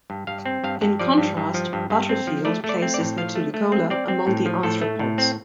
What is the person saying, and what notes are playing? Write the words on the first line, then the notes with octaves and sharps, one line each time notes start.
In contrast, Butterfield places "Vetulicola" among the arthropods.
G2
G2 F5
C4
G2 F5
G2
F3 D5
G2
G2
F3
G2
G2
C4
F3
A3 D5
A3
D5
C4
D5
A2
F3 F5
A3
A3
C4
C4 D5
C4
A2
F3
A2 A4
A3
A2
C4